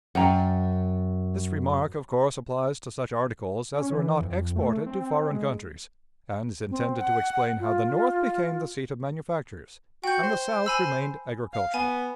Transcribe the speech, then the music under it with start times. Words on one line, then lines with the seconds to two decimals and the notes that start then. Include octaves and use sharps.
This remark, of course, applies to such articles as were not exported to foreign countries, and is intended to explain how the North became the seat of manufactures, and the South remained agricultural.
0.15 F#2 F#5 G5 A#5
3.74 C#4
3.92 E3
4.21 F2
4.56 A3
4.86 C4
5.31 G#3
6.71 C4
6.99 F#5
7.60 F4
10.04 F#4 G5 G6
10.23 C5
10.66 G#5 B5 E6
11.53 F5
11.74 B3 G#5